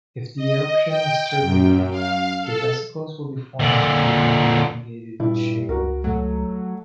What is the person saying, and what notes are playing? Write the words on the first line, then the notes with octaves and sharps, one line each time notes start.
If the eruption is turbulent the vesicles will deform and become elongated in shape.
D#5
G5
F#2
F5
A4
A#2 D3
G2 A#2 E4
C#2 F#4 A#4
F#3 A3